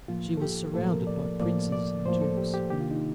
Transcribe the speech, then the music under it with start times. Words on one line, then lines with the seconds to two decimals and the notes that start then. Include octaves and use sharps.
She was surrounded by princes and dukes.
0.08 A2 F3 A#3 F4
0.37 A4
0.42 G4
0.74 A2 F3 A#3 A4
0.91 A#4
1.07 D5
1.40 A2 F3 A#3 D5
1.72 D5
2.06 A2 F3 A#3 C5
2.22 A4
2.37 G4
2.54 G4
2.70 C3 D#3 A#3 D4 G4
2.81 F4
2.91 D#4